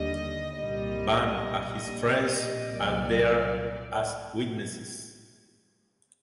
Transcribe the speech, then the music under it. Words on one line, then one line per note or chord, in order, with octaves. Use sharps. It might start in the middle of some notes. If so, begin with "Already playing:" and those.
Van and his friends are there as witnesses.
Already playing: D#2 D3 G3 D#5
C2 A#2 G3 D#5
A#1 A#2 G3 D#5
C2 A#2 F#3 D5